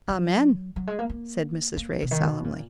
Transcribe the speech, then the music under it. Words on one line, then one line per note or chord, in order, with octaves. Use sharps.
"Amen!" said Mrs. Ray, solemnly.
F#3
F#3
G#3
A#3
A#3
A#3
B2
D#3
B2
A#2